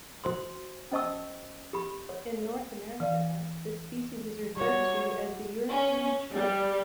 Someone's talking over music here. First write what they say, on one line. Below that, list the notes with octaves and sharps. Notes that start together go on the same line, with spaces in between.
In North America, this species is referred to as the European chub.
F#4 C5 C6
C#4 C5 D#5 A5 C#6 E6
G4 B5
C#5
E3 D5 F5
G3 F#4 C#5
C#4
G3